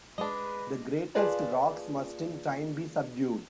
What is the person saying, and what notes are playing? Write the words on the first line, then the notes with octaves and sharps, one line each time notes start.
The greatest rocks must in time be subdued.
G#3 D4 B4 D#5
A#3 F4 G#4 B4 D5 A5